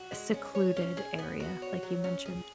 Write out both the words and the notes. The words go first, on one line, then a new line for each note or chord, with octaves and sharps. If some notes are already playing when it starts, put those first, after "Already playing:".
secluded area like you mentioned.
Already playing: F#4
G#3
C#4
C#5
C#4
G#4
B3
F#4
C#5
F#3
C#4
G#4